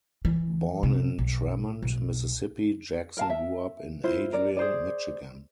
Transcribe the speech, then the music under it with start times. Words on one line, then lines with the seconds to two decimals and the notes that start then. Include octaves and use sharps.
Born in Tremont, Mississippi, Jackson grew up in Adrian, Michigan.
0.25 E3
0.83 C3
1.19 B1
1.82 B1
3.17 A#4 F5 A5
3.30 E5
4.04 E4 F4 C5
4.33 A#4 D5
4.57 G#4 C5 D5